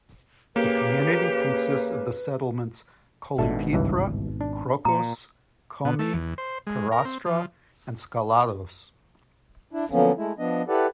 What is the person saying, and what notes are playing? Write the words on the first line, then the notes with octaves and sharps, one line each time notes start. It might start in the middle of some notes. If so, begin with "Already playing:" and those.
The community consists of the settlements Kolympithra, Krokos, Komi, Perastra and Skalados.
C#3 A#3 G4 B4
G#1 G#2 B2 D4 A4 E5
C#2 G2 E3
D4
A#2 A#5
B2
A3
E2
C5
G#3
A#4
C4
F3
D4 E4
D3 F3 F#3 A#3 B3 C#4
G#3 A3 E4
F3 B3 D4 D#5
E4 G4 A4 B4 D5 F#5